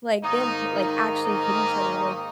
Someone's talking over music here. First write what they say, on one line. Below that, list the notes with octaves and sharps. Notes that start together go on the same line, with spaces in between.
like, they'll hit like, actually hit each other, like
G#2 D#3 A#3 D#4
D#4
D#4